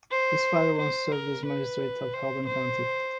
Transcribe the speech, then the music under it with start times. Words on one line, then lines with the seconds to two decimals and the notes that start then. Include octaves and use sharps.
His father once served as magistrate of Hedong County.
0.11 C5
0.79 C5
1.12 A#4
1.46 B4
2.13 C5
2.47 C5